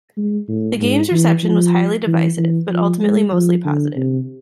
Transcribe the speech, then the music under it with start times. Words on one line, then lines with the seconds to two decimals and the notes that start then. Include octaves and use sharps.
The game's reception was highly divisive, but ultimately mostly positive.
0.17 G#3
0.48 A2
0.79 G#2
1.11 E3
1.43 F3
2.07 E3
2.38 E3
2.69 F3
3.01 G#3
3.33 F3
3.65 D3
3.96 C3